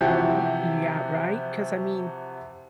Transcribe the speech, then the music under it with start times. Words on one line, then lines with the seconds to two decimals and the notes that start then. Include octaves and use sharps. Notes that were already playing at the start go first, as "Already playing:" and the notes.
Y yeah, right? 'Cause, I mean
0.01 C3 E3 F3 E4 F#4 G4